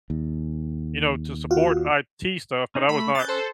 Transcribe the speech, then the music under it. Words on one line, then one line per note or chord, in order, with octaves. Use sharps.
you know, to support IT stuff, but I was not
D#2
F4 F#4
C#4 D#4
A3 B5
C#4 F#6 G6 A6
A4 C5